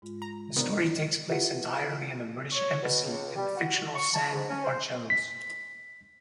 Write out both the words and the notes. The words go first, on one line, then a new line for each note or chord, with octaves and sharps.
The story takes place entirely in the British Embassy in the fictional San Barcellos.
G#2 G#3 F4
A#5
C3 D#3 B3 D4 D5 A#5
E4 F4 G4 B4 E5 F#5
C#5
B2
C#2
G3
F#4
C#6
A5
G#2
C#4
C5
B6